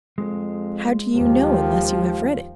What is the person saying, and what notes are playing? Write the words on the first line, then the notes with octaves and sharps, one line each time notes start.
"How do you know, unless you have read it?"
F2 G#3
D#2 F3 G4